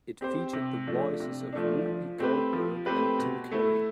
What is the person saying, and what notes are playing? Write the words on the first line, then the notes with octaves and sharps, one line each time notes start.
It featured the voices of Whoopi Goldberg and Tim Curry.
C4 G4 C5
C3
F3 A3 D4
C3
F3 A3 D4
F3
A3 C4 G4 B4
F3
A3 C4 G4 B4
B2
A3 E4